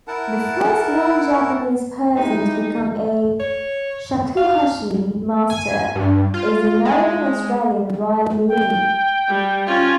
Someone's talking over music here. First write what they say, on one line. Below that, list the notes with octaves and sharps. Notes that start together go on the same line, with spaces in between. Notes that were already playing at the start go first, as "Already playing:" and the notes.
The first non-Japanese person to become a shakuhachi master is the American-Australian Riley Lee.
E4 A#4 F#5 A5
G#3 D#4 E4 G4
C#5
F5
G#5
G2
F4
G#3
G5
G3
C#4 F4